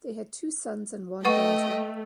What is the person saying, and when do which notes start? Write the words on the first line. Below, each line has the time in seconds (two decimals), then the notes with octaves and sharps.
They had two sons and one daughter.
1.25 A3 B4 D#5 F#5 G5 C#6